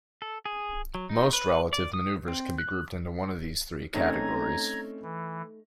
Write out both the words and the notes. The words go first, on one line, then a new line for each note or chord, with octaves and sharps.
Most relative maneuvers can be grouped into one of these three categories.
A4
G#4
F#3
D#4
B4
D5
D#6
C4
F#6
A3 C4 C#4 D#4 A#5 G#6 A#6
E3